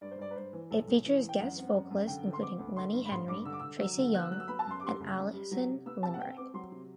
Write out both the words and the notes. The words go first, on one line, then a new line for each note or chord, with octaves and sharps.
It features guest vocalists, including Lenny Henry, Tracie Young, and Alison Limerick.
G2 D5
C5
G2 D5
B4
G2 C5
E3
B1 A4
B1
E3
E3
G5
F#2 F#5
C4
F#2
F#2
D3 G5
D3
C6
C4 D6
D2
D3 C6
G2
B5
A1 C6
G2 D6
D3 E6
D6
D3 E6
F#3 E6
D3
B3 F#6
E6
F#3 F#6
E6
B3 B5
A5
F#2 C6
D6
G3 C6
F#1
F#2
G3
F#3
C3
B3 E6
C3 A5
F#5
C4 G5
C4 D6
F#3 C6
C3